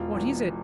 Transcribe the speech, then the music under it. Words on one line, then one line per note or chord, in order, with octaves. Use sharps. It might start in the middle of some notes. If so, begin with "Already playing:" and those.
What is it?
Already playing: E1 F4
E2